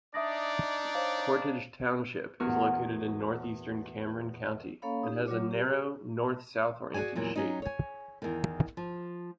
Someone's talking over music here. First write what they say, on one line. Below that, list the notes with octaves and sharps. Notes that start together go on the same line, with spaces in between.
Portage Township is located in northeastern Cameron County and has a narrow, north-south-oriented shape.
D4 D#4 D5 E5 D#6 A#6
C5 C#5 F5
E2 F#4 A#4
A#3 C#4 A4 C#5 F5 B5
D#4 G4
F#3 F4 C#5 D6
G4
F#4 G#4 C5 D5 G#5
E2 A#2 F#3
F#3 C#4 D#4
C#5 G#5
E2 D#3
F3